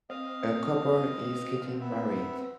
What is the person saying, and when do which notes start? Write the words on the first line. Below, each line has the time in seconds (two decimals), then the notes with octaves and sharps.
A couple is getting married.
0.10 C4 D#5 F5
1.81 B3 E5